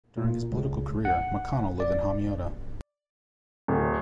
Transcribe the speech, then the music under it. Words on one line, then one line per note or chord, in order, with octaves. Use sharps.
During his political career, McConnell lived in Hamiota.
A#2
C#2
F#5
D5
D1